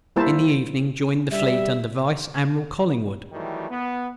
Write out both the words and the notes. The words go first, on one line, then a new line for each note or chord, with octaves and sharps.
In the evening joined the Fleet under Vice Admiral COLLINGWOOD.
G3 A#3 E4 A#4 C5 A5
G3 E5
D#3 E3 F#3 G3 A3
B3